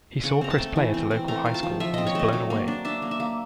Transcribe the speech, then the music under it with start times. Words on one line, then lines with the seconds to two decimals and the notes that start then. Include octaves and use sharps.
He saw Criss play at a local high school and was blown away.
0.24 C#3 F#5
0.41 C4 A#5
0.50 A5
0.58 A3
0.76 E3
0.94 C4
1.11 C4
1.28 A3 A#5
1.45 F4
1.54 A5
1.63 F3
1.80 F3 E5
1.94 C4 D#5
2.07 C#5
2.15 A3 D#5
2.33 F#3
2.50 A#3
2.68 D4
2.85 D4 E5
3.02 A#3
3.11 E5
3.20 A#3